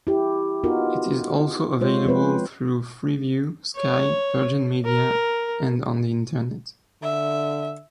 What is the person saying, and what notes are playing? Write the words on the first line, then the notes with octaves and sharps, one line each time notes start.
It is also available through Freeview, Sky, Virgin Media and on the Internet.
E4 G4
B3 D#4 F4 F#4 A#4
G#3 F4 C5 C#5
F3 C4 B4 C5
C#5
A#4
D3 E5